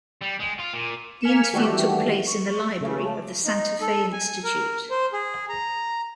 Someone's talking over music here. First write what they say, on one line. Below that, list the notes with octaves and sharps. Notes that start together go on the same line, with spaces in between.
The interview took place in the library of the Santa Fe Institute.
G3
G#3
F4
A#2
A#3 G#5 F6 B6 C#7 E7
D#3 E3 G3 A3 F#4 G4
C#6
C#3 A3
D#4
A4
G#5
A#4
C5
G#4
A#5